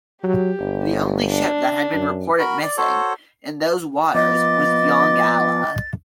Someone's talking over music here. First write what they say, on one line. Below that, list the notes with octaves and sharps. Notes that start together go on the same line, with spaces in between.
The only ship that had been reported missing in those waters was "Yongala".
F#3 G4
G1
D4
F#2
F#4 A#4 B5
D5
F#4 A4 C5 C#5
F3 B3 D#5 D6 A6